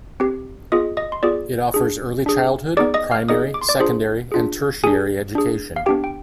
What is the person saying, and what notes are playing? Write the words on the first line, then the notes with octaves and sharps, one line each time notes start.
It offers early childhood, primary, secondary and tertiary education.
C4 G4
B3 F4 G#4 D#5 D#6
D#5 D#6
C6
B3 F4 G#4 D5 D6
D4 G#4
D4 G#4
B3 D#4 G#4 D5 D6
D#5 D#6
F5 F6
B3 D#4 G#4 D#5 D#6
D6
C6
D5 D6
D4 F4 G#4 C5 C6
D4 F4 G#4
D4 G#4 G#5
D4 G#4
F5
B3 D4 G4 G5
G5